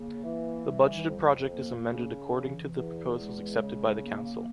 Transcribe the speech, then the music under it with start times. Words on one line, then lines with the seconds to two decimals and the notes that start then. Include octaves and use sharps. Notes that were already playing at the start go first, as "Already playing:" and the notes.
The budgeted project is amended according to the proposals accepted by the Council.
Already playing: C#3 A#3
0.24 E3
0.66 G3
1.09 F2
1.51 A#3
1.93 C#3
2.35 E3
2.77 E2
3.19 G#3
3.61 C#3
4.03 A#3